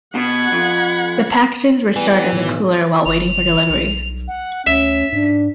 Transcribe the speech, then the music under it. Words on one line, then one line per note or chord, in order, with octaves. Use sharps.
The packages were stored in the cooler while waiting for delivery.
B2 F#5 B5 G#6
F2
E3 G3 B3 G#5
B1 A2 D#3 B3
G1 F7
B1
F#5
D2 C#4 E5 B6
G#2 D4